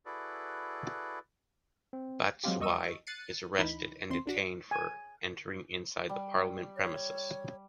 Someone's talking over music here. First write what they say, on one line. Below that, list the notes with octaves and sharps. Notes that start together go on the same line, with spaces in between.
Batsiua is arrested and detained for entering inside the Parliament premises.
E4 F#4 G#4 A4 B4 D5
C4
F#3 G#3 C4 F4 G4
E2 G3 D#5 C#6 E6 D#7
F#6 A6 C7 C#7 D#7
D2 E3 D#4 B5
E2 C4 C6
A#1 D4 F#4 B6
G#5
G3
C#5